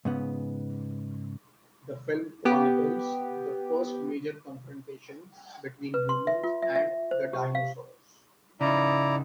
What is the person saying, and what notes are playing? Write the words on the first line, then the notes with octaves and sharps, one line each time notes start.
The film chronicles the first major confrontation between humans and the dinosaurs.
G#2 C#3 B3
B3 G4
B4
C6
E5
F4
E5
E5
C5
G4
F5
C#3 D#4 E4 D5 A#5